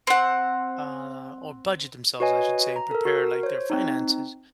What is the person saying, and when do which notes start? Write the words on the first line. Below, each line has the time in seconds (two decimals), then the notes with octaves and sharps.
uh, or budget themselves, I should say, and prepare, like, their finances,
0.07 C4 F#5
2.20 F#4 B4 C#5 D#5 G#5
2.76 A#5
2.91 A4 A#4
3.05 F#4 A#4
3.43 C5 C#5
3.70 C4 D#4